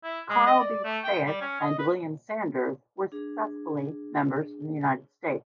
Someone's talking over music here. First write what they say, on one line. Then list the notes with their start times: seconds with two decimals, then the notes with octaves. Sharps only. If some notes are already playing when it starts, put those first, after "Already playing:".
Carl B. Spaeth and William Sanders were successively members from the United States.
0.04 E4
0.30 G#3
0.46 D#5
0.59 D5
0.84 A3
1.04 G5
1.26 G3
1.41 C#4
1.61 D#5
1.78 B4
3.12 D4 G#4